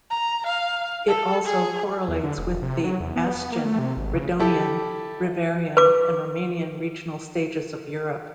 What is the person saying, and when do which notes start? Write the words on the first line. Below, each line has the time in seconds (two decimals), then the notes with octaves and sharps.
It also correlates with the Astian, Redonian, Reuverian and Romanian regional stages of Europe.
0.11 A#5
0.47 F5
1.07 A4
1.45 G#4
2.08 E2
2.23 D3
2.38 E1
2.62 C3
2.84 F#3
3.00 E2
3.16 B3
3.52 A#3
3.65 A3
3.79 C3
3.97 G#1
4.14 C#3
4.40 E4 G4 A4
5.77 B4 D6